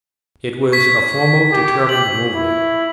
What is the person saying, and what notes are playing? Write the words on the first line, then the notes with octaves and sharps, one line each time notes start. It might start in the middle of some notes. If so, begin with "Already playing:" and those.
It was a formal, determinate movement.
C#6 G#6 B6
G4
F#7
E4